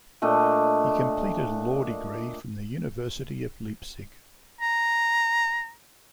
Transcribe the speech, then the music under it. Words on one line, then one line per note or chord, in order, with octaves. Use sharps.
He completed a law degree from the University of Leipzig.
A#2 A3 D4 D#5
A#5